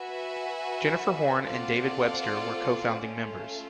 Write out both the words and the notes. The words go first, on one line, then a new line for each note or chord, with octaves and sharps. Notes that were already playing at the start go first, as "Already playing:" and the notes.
Jennifer Horne and David Webster were co-founding members.
Already playing: F#4 B4 E5 G#5
C4 F4 A4 D5 F#5
A3 C#4 F4